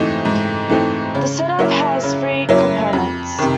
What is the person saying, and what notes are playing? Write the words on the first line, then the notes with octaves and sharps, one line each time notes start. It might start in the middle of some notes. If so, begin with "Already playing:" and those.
The setup has three components.
Already playing: G#2 E3 A3 C4 D#4
G#2
E3 A3 C4 D#4
C#3
F#3 A#3 C#4 E4
C#3
F#3 A#3 C#4 E4
F2
C3 D#3